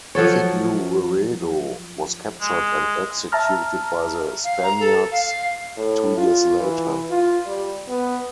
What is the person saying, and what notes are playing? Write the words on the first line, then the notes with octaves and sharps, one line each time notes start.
Figueredo was captured and executed by the Spaniards two years later.
F3 F#3 A4 C#5
G#3
E5 A5 A#5 F6
F5
A#5
A4
F5
A2
F4
E3
F4
G3
B3